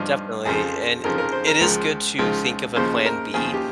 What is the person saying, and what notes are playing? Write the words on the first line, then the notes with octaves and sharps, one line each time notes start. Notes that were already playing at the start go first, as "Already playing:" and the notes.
Definitely, and i i it is good to think of a plan B
Already playing: G2 F3 D#4
F2 C#3 F3 G#4
F2 C#3 F3 A#4
A#4
C5
A#4
C#2 C#3 F3 A#4
C#2 C#3 F3
D#2 C#3 F3 C5
A#4
D#2 C#3 F3 G#4
G4